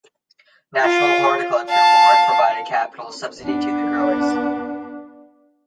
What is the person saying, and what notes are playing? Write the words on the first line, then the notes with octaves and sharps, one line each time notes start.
National Horticulture Board provided capital subsidy to the growers.
F4
F5 A5
B3 D4